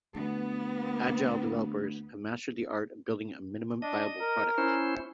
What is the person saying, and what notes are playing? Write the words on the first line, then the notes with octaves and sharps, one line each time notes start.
Agile developers have mastered the art of building a minimum viable product.
D2 B3
D4 D#5
A#4
C#4 E4 C5